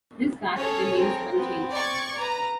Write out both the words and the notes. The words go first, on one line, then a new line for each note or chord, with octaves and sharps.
This fact remains unchanged.
C#4 G#4 A4 C#5
C4 A#4
B3 C4
D5 C#6 G#6
B4 A#5